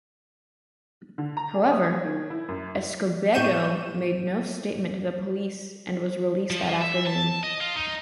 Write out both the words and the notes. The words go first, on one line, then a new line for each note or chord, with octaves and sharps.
However, Escobedo made no statement to the police and was released that afternoon.
D3
A#5
G#4
D#6
G#6
D#3
E4
F#2
A2 G4 C#6 G6 D#7 E7
F3
E5
A5
D#5
F4
D#4